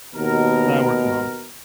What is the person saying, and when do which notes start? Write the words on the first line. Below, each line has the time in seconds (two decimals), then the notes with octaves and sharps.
No, I work from home.
0.14 D#2 B2 A#4